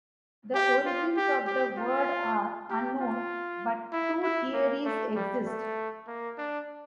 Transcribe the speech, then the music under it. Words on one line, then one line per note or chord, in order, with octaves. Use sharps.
The origins of the word are unknown but two theories exist.
G4
F4
G4
G4
F4
G4
F4
E4
E4
A#3
A3
G3
A3
A#3
D4